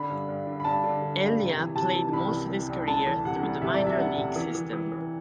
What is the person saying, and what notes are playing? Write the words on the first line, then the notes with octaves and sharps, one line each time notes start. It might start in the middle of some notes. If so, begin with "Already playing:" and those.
Elia played most of his career through the minor league system.
Already playing: D3 B5
G2
G2
D3
B5
G2 A5
D3
D3
G2
C3
E3
C3 A5
E3
C2 B5
E3
E3
C2
D2 A5
E3
C3 F#5
D2
C3 E5
D5
C3
E5
D2 F#5
C3
E3
E3
E3
E3